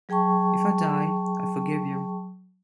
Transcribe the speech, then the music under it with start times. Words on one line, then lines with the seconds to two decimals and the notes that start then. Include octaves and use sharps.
If I die, I forgive you.
0.09 F#3 G#4 G5 A5 C#6